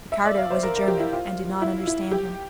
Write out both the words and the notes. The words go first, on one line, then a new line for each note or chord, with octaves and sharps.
The carter was a German and did not understand him.
E5
D5
F5
C5
A#4
A#4
G4
E4
F4
E4
E4
G4